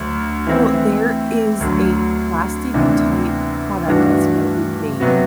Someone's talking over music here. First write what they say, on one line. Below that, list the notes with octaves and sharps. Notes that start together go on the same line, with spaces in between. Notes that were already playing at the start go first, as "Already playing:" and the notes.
Well, there is a plastic type product that's now being made,
Already playing: D2 F#3
E3 A3 C4 E4
D2 D3 F#3
D2 C3 E3 B3 D4
G2 E3 A3 D4 F#4
C3 F#3 B3 F#4